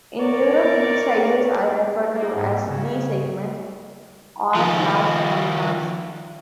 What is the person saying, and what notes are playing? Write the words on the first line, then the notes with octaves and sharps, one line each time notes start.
In Europe mid-sizers are referred to as D-segment or large family cars.
A#4 C#5 D5
A#3
G#2
F2
C#3
D#3 F3